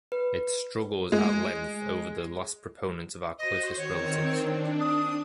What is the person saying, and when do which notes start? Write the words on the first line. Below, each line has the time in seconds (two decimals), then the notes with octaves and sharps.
It struggles at length over the last proponents of our closest relatives.
0.12 B4
1.12 G#3
3.38 F#4 C5 D#5
3.76 D#3 C4 C#5
4.37 D4
4.80 D#6